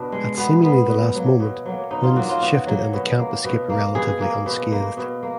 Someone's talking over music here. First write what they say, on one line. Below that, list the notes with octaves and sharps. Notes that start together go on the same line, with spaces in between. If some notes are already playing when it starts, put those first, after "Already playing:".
At seemingly the last moment, winds shifted and the camp escaped relatively unscathed.
Already playing: B2 D4
G#3
B2 B3
G#3 B3
B2
F#3 A#3
B2
F#3 A#3
B2 D#4
F4
F#3 A#3 F#4
F4
B2 F#4
F#3 A#3
B2
A#3
B2
A#3
B2 G#4
A#3
B2
A#3
B2
A#3